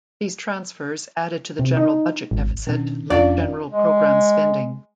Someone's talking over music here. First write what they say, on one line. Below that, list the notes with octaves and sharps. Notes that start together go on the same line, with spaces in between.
These transfers added to the general budget deficit like general program spending.
C3
D#4
G#1
B2 D#3 B3 C#4 D4
F1 F2 C#4 D4 F4 D5 F5
G#3